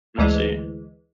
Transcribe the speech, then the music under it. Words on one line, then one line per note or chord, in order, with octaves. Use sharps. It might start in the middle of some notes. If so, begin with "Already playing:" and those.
I see.
D2 E3 G#3